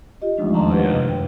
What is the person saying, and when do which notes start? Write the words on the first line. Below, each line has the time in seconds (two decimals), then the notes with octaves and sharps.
Oh, yeah.
0.22 F4 G4 D#5
0.37 F3 G#3 A3 D4 D#4
0.54 E2 D#3 A5 A#5
0.70 E4 G4 B4 C5 F#5
0.88 F#2 C3
1.08 G5